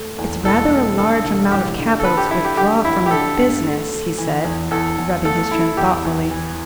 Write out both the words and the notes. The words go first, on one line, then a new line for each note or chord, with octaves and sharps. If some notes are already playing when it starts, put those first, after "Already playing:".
"It's rather a large amount of capital to withdraw from the business," he said, rubbing his chin, thoughtfully.
Already playing: A3
E2
E1 A4
A3
D3 A4
E1
A1 G4
D3
A4
D3 B4
G4
D3 E4
G4
D3 G4
A1 E4
G4
D3 A4
G2
A3
A3
E3
E2
E2 A4
E2
A3 A4
E4
E2 G4
E2
E3